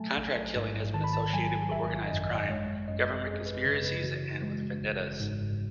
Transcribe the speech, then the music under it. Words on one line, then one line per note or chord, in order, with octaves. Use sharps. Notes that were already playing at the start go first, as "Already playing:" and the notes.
Contract killing has been associated with organized crime, government conspiracies and with vendettas.
Already playing: F#3 A3 G#5 A5
A1
G#2
D#3 A5
B5
A5
F#3 G#5
G#1 E5
F#2 D#5
G#3 C#5
F#2 D#5
F#2 G#4
B4
C#3
B4
E3 F#4
G#3
G#1
G#2